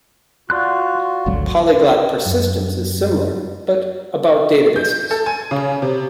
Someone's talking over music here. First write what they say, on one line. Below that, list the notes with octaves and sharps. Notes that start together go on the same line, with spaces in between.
Polyglot persistence is similar, but about databases.
F4 F#4 D5 C6 F#6
G#1 D2 F#3
F#2
G6
A4
G#5
C#3
C3